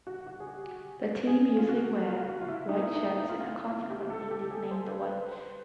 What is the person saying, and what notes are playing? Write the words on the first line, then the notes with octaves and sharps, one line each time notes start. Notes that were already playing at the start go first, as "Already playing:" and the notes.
The team usually wear white shirts and are consequently nicknamed the Whites.
F#4
F#4
G#4
G4
G#4
F4
F#4
F4
F#4
F4
E4
D#4
E4
D#4
F4
E4
G4
A4
G4
G#4
C5
B4
C5
C5